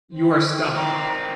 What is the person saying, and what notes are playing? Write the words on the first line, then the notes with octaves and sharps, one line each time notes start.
You are stumped.
C4 G5
D#3 C4 D5 G5 A#5